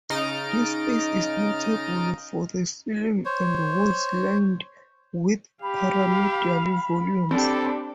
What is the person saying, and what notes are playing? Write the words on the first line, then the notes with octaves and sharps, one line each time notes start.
This space is notable for the ceiling and walls lined with pyramidal volumes.
C#3 D#4 D#5 F6 A6 D7
C5 C#5
G4 F5 B5
C4 D4 G4 A4